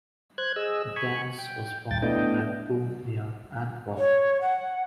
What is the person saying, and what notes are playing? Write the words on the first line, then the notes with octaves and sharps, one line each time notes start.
Dens was born at Boom near Antwerp.
C5 F#6 G#6
G#4 D#5 E6
G#5 B5 C#6
G5
D2 G2 G5 A6
A3 B3 D4 E4 D#5 G5
C#5
F#5